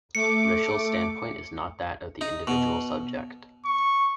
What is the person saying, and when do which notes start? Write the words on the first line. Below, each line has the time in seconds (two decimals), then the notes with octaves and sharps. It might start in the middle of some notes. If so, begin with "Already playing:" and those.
Ritschl's standpoint is not that of the individual subject.
0.15 A3 D6 C#7
2.21 D#4
2.47 B2
3.66 C#6